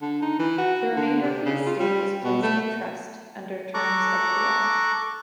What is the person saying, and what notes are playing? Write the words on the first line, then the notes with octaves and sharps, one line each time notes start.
The remainder of the estate was placed in trust under terms of the will.
D3
D#4
E3
F#4
D3
C3
C#3
F4
G3
B2
A3
A4 A#5 C#6 D6 F#6